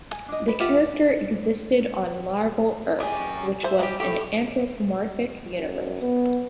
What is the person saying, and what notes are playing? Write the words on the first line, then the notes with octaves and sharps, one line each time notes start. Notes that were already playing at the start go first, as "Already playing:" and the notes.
The character existed on Larval Earth, which was an anthropomorphic universe.
G#5
D4 D#5
B4
F4 G4 E5 F#5
F#2 G4 G#4 D5 G#5
C5 E5
G3 D#4 G4
E4 G4 A4
F#2
B3